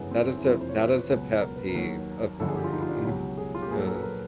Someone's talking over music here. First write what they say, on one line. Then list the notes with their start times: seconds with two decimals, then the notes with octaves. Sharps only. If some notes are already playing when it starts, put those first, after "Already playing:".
That is a that is a pet peeve of mine is
Already playing: G1 F#2 C#3 E3 B3
0.11 C4
0.37 E4
0.44 F#1 F2 C3 E3 F4
0.61 C5
0.69 C#5
0.77 B4
1.10 C#2 B2 F#3
1.42 A#4
1.56 B4
1.69 A#4
1.74 D#2 D#3 F#3
2.40 G1 F#2 D3 F3 A4
2.49 G#4
2.56 G4
2.64 F4
2.73 D#4
2.81 F4
2.89 D4
2.97 G4
3.05 C#2 B2 F#3
3.38 G#4
3.55 F4
3.62 G4
3.70 A#1 A#2 F#3 G#4
3.78 A4
3.87 A#4
3.95 B4
4.03 A#4